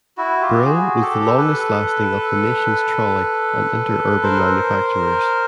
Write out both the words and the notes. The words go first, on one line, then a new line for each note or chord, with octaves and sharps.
Brill was the longest lasting of the nation's trolley and interurban manufacturers.
E4 F#4
F4 G4
F#4 G#4
G4 A4
A4 B4
A#4 C5